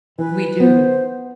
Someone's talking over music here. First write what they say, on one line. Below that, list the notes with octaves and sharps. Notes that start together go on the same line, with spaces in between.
We do.
E3 B4
B3 C5